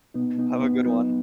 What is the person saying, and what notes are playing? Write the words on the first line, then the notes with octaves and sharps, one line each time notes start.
Have a good one.
B2 B3 D#4
B2 B3 D#4
F#2 B3 D#4
F#3 B3 D#4